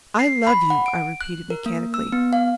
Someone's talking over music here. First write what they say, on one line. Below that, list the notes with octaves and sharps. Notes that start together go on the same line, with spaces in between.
"I love you," I repeated mechanically.
C7
B5
F#5
D7
F#6
A#4
A#3
E6
B3
F5